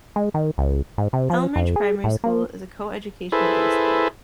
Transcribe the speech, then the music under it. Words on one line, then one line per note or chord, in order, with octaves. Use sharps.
Elmridge Primary School is a co-educational day school.
G#3
D#3
C#2
G#2
C3
F3
F2
G#4
A2
A#3
E4 G#4 A4 B4 C5